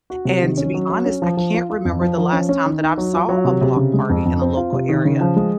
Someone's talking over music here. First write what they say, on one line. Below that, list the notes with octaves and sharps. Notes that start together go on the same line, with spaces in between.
and to be honest, I can't remember the last time that I've saw a block party in a local area,
F#4
C3
D#3
C#4
F#3
F#3
C#4
F3
F3
F4
F4
F2
F3
F3
C#4
C#4
D#3
D#4
F#3
F4
F#3
C3
C3
C#3
G#3
F2
F2
C4
F4
C3
D#3
C#3
F3
G#3